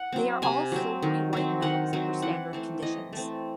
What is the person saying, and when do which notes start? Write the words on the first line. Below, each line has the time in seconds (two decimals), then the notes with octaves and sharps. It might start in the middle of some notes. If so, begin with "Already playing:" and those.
They all are silvery-white metals under standard conditions.
Already playing: F#5
0.12 F#3 C4
0.42 C3 G#5
0.72 F#3 C4
1.02 D#3
1.33 F#3 C4
1.62 D#3 F#5
1.93 F#3 C4
2.22 E3 F#5
2.53 A3 C4
2.82 E3 D#5
3.13 A3 C4